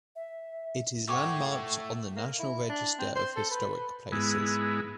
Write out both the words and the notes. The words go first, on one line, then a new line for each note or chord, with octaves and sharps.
It is landmarked on the National Register of Historic Places.
E5
A3 C#5 F#5 G5 C#6 D6
A#3
E4
D4
C4
C5
A4
B4
G#2 G#3 B3 E4